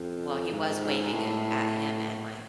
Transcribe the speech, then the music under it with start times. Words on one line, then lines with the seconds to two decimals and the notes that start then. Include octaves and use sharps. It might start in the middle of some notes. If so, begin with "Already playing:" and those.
well, he was waving it at him and my
Already playing: F2
0.52 G#2
1.13 A2